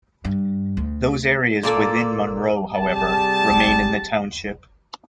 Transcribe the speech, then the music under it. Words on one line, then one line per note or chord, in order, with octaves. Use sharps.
Those areas within Monroe, however, remain in the township.
G2
D2
A#2 A#3 A4 D5
C3 G3 G4 G#4 A5